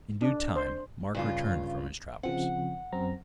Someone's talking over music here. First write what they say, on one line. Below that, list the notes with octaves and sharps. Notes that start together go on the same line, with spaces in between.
In due time, Mark returned from his travels.
D4
C5
G2 C#3 F4
C#3 F3 C4 F#5
F#2 C4 A#5